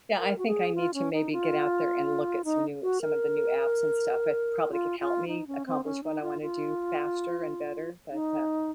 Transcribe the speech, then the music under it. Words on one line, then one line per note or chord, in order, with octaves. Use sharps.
Yeah, I think I need to maybe get out there and look at some new some of the new apps and stuff, it probably could help me accomplish what I wanna do faster and better, but, uh,
A#4
F#4
G#4
F4
C#4
D#4
F4
D#4
F#4
A#4
F4
F4
D#4
C#4
C4
C#4
D#4
F4
F4
D#4